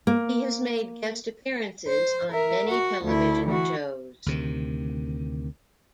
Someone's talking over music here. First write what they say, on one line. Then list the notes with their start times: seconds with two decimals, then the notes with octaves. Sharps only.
He has made guest appearances on many television shows.
0.07 A#3
1.88 C5
2.32 A#4 E5
2.69 F#4
3.05 D2 E4
3.47 E3 F#4
4.26 D2 C3 D#3